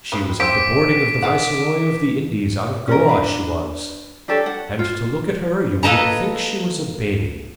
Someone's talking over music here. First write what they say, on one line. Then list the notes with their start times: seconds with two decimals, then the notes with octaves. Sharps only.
She was at the boarding of the viceroy of the Indies out of Goa, she was; and to look at her you would think she was a babby.
0.12 G#3 G4 B4
0.40 E3 C4 C5 D6 B6 D7
1.22 G#4 F5 F#5
2.88 C#4 A#4
3.09 D4 B4
4.28 D4 G4 A4 C#5
4.46 F#5
4.79 F4
5.83 A#3 A4 B4 D#5 A5 A#5